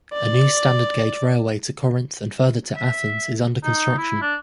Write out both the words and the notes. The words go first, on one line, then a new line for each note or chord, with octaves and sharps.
A new standard gauge railway to Korinth and further to Athens is under construction.
D5
E5
D#4
E4
D4